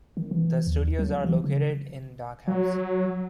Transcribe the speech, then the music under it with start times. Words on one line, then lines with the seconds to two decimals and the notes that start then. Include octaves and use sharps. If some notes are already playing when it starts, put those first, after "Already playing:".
The studios are located in Dock House.
0.17 D#3
0.31 E3
0.67 D#2
0.99 F#3
1.24 E3
1.44 C#3
2.47 F#3